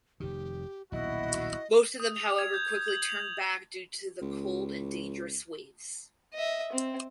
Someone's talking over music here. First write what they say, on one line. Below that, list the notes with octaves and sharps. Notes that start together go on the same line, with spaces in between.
Most of them however quickly turned back due to the cold and dangerous waves.
F1 D#3 G4
D#1 B1 A#2 E4 F#4 D#5
D#6
F7
G#6
G6
G#6
F#7
F7
C#2
D#5 E5
C4